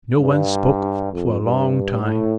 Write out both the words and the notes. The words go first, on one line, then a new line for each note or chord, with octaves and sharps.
No one spoke for a long time.
G2
F2
G2
A2